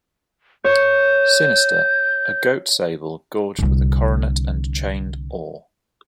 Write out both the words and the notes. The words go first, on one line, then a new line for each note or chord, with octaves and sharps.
Sinister: a Goat Sable, gorged with a Coronet and chained Or.
C#5 G6
C2 D3